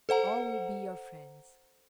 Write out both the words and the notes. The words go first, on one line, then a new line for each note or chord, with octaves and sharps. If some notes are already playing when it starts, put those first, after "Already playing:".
All will be your friends.
A4 C5 F#5 A#5